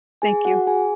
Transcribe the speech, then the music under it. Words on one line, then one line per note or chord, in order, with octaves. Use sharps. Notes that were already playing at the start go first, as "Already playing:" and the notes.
Thank you.
G#4 G#5
F#4 F#5
G#4 G#5